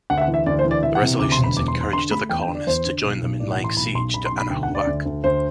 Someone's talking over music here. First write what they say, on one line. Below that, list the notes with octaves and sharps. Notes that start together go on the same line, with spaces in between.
The resolutions encouraged other colonists to join them in laying siege to Anahuac.
D2 F#5
E5
F#5
E3
E5
D2 D5
C5
E3
D5
E3 E5
F#5
C3
D2 D6
C6
E1
B5
E2 D6
C6
E2
C6
D3 C6
A3 B5
E2 G5
G5
D3
D5
E2 C5
D3
B1
B1
A2 D5
F#5
E3
C6
B1 B5
B1 C6
B1 B5
C6
B1
B5
D2 G5
F#5
D2
D5
D2
D2
D2 C5